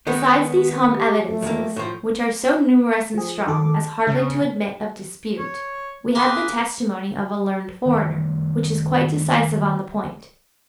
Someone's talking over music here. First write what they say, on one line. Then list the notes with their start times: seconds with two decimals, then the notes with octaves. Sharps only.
Besides these home evidences, which are so numerous and strong as hardly to admit of dispute, we have the testimony of a learned foreigner, which is quite decisive on the point.
0.07 D#3 G#3 B3
0.94 G4
1.25 A3
1.42 F2 A#3
1.76 A2 F3
3.14 F3 G#4
3.47 D#3 A4 D6
3.75 A5
4.07 C#3
5.38 C#5
6.15 A#3 G#4 B4 C6
7.86 D#3 G3 A3